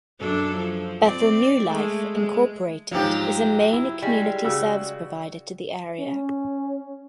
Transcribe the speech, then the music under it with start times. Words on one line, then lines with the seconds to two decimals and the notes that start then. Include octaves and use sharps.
Bethel New Life, Incorporated is a main community service provider to the area.
0.20 F#2 D4 A4
0.56 F3
1.03 C4 D5
1.68 G#3 A3
2.14 G#3
2.91 G#2 F3 F#3 G4
3.73 E4
4.02 G3 G#3
4.44 C#3 F#4 E6
5.99 C#4